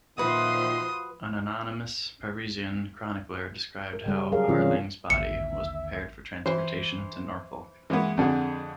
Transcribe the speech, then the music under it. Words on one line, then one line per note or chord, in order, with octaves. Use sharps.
An anonymous Parisian chronicler described how Harling's body was prepared for transportation to Norfolk.
A#2 D#3 F3 F#4 B4 E5 C6 D#6
A#4
C#3 G3
F#3 G#4 A#4 F5
C3 E3 C#4 F4
A1 D#2 D3 A#3 E5 C#7
E3 C5 C6
E3 G#3 A#3 B3
F2 D3 G#4 F#5